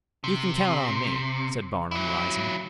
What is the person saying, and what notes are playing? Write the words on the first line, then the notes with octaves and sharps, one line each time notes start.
"You can count on me," said Barnum, rising.
C3
F#3 E4